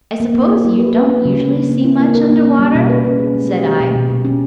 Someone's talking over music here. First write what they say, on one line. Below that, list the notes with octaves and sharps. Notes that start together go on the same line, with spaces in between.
"I suppose you don't usually see much under water?" said I.
A#3
A#3
E4
A#3
B4
B4
C#4
C#3
C#4
A#3
A#3
E4
A#3
A#4
A#3
C#4
G3
B2
B4
C#4
G#4
G#3
G4
G4
B2
B2
B2
C#4